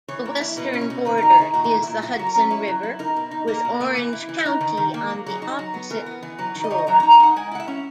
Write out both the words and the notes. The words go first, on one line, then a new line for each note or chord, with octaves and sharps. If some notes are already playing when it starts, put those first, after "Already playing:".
The western border is the Hudson River, with Orange County on the opposite shore.
E3 C#5
A#3
E4
B2 B4
C#4
C#5
B2
D#3 B4
A#4
D#4
G#4
D#3 E4
A#2 F#4
E4
A#2
E4
A#2
F#3 E4
F#4
F#3
A#4
C#4 B4
E4 C#5
F#3
E4
D#4 A#4
B2
D#4
A#3 A#4
B2
A#3
E3
E4
E3
D#4
D#3
D#3
A#3
F#3
F#3 G#4
D#4 F#4
F#3
B3
E3 A#4
B3
E3
F#3 B4
D#3
D#5
D#3 C#5
D#5
F#3 A#5
A#5
D#4
G#5
D#4 F#5
G#3 G#5
E4 F#5
E5
C#4